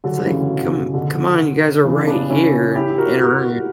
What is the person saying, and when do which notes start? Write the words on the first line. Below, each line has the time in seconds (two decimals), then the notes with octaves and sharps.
It's, like, come come on, you guys are right here in in a room.
0.04 D3 F#3
0.19 D3
0.26 C#3 E3
0.49 B2
0.63 B2
0.72 C#3
0.94 B2 D3
1.84 C#3 E3
2.07 B3 D4
2.30 C#4 E4
2.75 E4 G4
2.98 F#4 A#4
3.20 F#4 A#4